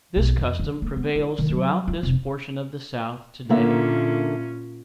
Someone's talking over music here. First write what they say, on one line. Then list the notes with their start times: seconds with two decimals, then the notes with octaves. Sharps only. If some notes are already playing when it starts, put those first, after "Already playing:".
This custom prevails throughout this portion of the South to-day.
0.16 B1
0.38 F2
0.59 D3
0.82 A#3
0.96 B3
1.15 E4
1.38 D#3
1.50 F#3
1.88 F4
2.03 F1
3.49 A#2 D3 A#3 C#4 E5